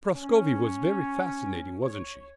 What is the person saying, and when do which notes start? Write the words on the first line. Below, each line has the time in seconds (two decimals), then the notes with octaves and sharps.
"Prascovie was very fascinating, wasn't she?"
0.14 C#4
1.83 C#5